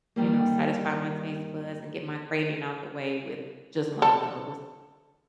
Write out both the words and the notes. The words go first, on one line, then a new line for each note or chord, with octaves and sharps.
you know, satisfy my taste buds and get my craving out the way with just one of those.
G2 D#3 G3 A#3
A4